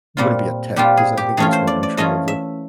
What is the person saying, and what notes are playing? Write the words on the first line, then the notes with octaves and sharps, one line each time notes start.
you wouldn't be a tech 'cause I think that's more entry level.
A#2 G3 C4 F4
A#2 G3 C4 F4 G4
G#4
G4
E3 A3 C#4 F4 G#4
C5
D5
D5
E3 A3 C#4 F4 D#5
E5